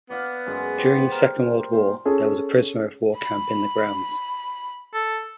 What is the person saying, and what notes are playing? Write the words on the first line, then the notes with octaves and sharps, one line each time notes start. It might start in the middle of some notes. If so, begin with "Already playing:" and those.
During the Second World War there was a prisoner-of-war camp in the grounds.
B3 D5 F5 F#5
F#2 G#3 F#5
G4 C5
A#4
A#2 C5
C#4 G#4 A4
B5
A4